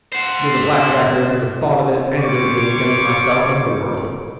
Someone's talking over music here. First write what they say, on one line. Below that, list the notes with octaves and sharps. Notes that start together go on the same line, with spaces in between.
It was a black record, and the thought of it angered me against myself and the world.
C5 F#5
G3 C5 C#5 C#6 D6